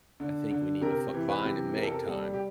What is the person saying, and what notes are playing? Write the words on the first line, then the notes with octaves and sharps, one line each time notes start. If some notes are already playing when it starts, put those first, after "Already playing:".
I think we need to fi find and make time.
D3
D3
C3 A#4
E3
B4
C3
C3 A#4
A4
A#4
G3 A4
G4